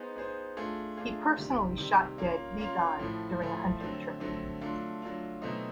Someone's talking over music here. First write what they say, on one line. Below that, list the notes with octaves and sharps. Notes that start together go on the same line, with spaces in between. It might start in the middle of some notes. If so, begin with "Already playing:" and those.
He personally shot dead Li Gan during a hunting trip.
Already playing: B3 D#4 G#4 C5
B3 D#4 G#4 C5
A3 D4 F4 G#4
A3 D4 F4 G#4
C3 D#3 G3
C3 D#3 G3
A#3 C#4 F4
A#3 C#4 F4
A2 F3 A3
A2 F3 A3
D3 F#3 A3 C4
D3 F#3 A3 C4
F#3 A3 D4 F4
F#3 A3 D4 F4
B2 F#3 A3 C4 D#4